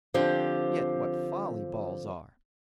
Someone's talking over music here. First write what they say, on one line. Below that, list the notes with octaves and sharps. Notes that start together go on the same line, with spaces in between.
Yet what folly balls are!
D3 F3 C4 G4